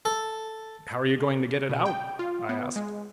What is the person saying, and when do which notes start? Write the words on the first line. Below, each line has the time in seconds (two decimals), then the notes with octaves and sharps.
"How are you going to get it out?" I asked.
0.05 A4
1.69 B2
1.85 G5
2.19 F4
2.49 B3
2.76 G#3